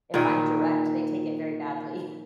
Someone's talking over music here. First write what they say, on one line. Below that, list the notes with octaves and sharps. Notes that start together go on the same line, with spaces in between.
if I'm direct, they take it very badly.
A#2 D#3